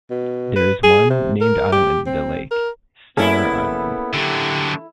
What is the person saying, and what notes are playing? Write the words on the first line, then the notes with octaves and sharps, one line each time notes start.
There is one named island in the lake, Star Island.
B2
B4
G#4
C3
A#4
G4
C4
A#4
A#3 B3 C#4 E4 G#4 A4
D3 F#3 G4